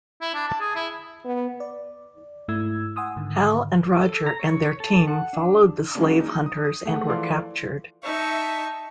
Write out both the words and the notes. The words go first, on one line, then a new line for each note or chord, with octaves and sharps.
Hal and Roger and their team followed the slave hunters and were captured.
E4
D4
A5
G#4
E4
B3
D5
G#2 A3 E4 E6 G#6
F#5 G#5 C6 D#6 E6
G#2 D3 D#3
A4
A#5
C#5
A4
F#5
D4
E3 F#3 G#3 A#3 C#4 D4
D#4
D#6
D#6
A3 G#4 A4 F#5
E3 F3 A4 D5 F5 C6
D#4 E5 A5 C#6